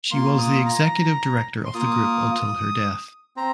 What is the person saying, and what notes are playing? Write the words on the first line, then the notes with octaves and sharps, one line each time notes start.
She was the executive director of the group until her death.
A#3 F4 C6
D#6
A#5
C6
A#3 F4 D#6
C4 A#5